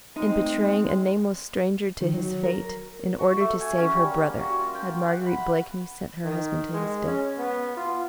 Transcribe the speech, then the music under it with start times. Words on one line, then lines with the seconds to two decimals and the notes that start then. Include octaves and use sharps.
In betraying a nameless stranger to his fate in order to save her brother, had Marguerite Blakeney sent her husband to his death?
0.16 G#3 A3 C4 D#4
2.01 D#3
2.14 F#3
2.43 A#4
3.19 F#4
3.40 A3
3.61 G#5
3.77 C#4
3.94 G3
4.11 A#3
4.41 F#4
4.57 F4
4.75 G5
5.08 F#5
5.26 B5
6.24 D#3
6.73 G#3
7.06 C#4
7.38 B3
7.77 F4